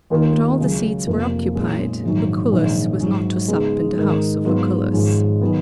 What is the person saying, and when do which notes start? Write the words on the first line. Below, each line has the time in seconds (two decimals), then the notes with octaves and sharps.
But all the seats were occupied; Lucullus was not to sup in the house of Lucullus.
0.10 D#2 D#3 A#3 F4 A#4
0.59 C#2 C#3 F#3
1.07 F1 F2 F3 A#3
1.55 B1 A#2 G#3 C#4 G#4
2.03 A#1 G#2 D#3 F#3
2.51 A#1 G#2 D#3 F#3 C#4
3.00 G#2 F#3 C#4
3.48 C#3 G#3 B3 D#4
3.97 G#2 D#3 G#3 D#4 A#4
4.45 G#2 F#3 B3 F4 B4
4.93 G#1 G#2 F3 G#3 C#4
5.41 D#3 F#3 B3